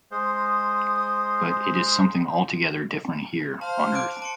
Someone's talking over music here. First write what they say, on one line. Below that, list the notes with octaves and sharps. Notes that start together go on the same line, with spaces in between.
But it is something altogether different here on earth...
G#3 C5 D#6
C5 F5 A5
D6 F#6 D7
A5 C6 C#7